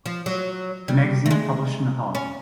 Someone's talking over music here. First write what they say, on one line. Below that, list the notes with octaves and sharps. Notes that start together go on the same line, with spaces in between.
The magazine published an apology.
F3
F#3
G3
A3
G#3
C#4